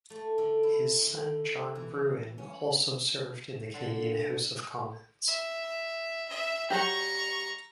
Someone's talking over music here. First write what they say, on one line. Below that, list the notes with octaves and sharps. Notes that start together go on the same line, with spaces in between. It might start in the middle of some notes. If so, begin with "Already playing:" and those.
His son John Brewin also served in the Canadian House of Commons.
A3
D3
E4
D3
E3
C#4
D3
E5
E5
F#3 G4 A#5 C#6